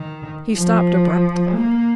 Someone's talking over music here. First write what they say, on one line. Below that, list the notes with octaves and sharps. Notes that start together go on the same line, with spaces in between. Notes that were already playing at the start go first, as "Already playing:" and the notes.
He stopped abruptly.
Already playing: D#3
F3
A#3